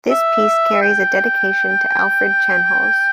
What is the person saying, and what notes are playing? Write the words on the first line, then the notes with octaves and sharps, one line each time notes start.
This piece carries a dedication to Alfred Chenhalls.
E5
G5